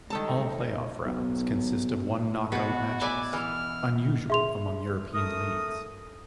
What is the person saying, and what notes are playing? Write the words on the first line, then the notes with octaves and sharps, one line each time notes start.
All playoff rounds consist of one-off knockout matches, unusual among European leagues.
D#3 G3 G#3 D#4 A4 A5
B1
B2 B3 F#4 B4
B4 D5 E5 G#5
E3 F6
G#4 E5 C6 F7
A3 A#4 D#6